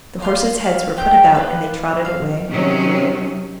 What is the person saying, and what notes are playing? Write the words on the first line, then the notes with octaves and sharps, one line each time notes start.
The horses' heads were put about, and they trotted away.
F4 F5 G5 C6
F5
C4 G4 B5 G6
D4 F4 B4
F5
C3 D#3 F#3 C#4